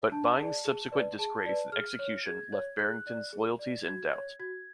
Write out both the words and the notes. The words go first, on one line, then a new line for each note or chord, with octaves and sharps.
But Byng's subsequent disgrace and execution left Barrington's loyalties in doubt.
D4 A5
G#4 D5
G#4
B4 D5
G#4 A5
B4 D5
G#4 F6
C#5
G#4 G#6
C#5
G#4 F#6
D5
G#4
D5
F#4 G#6
C#5
F#4 G#6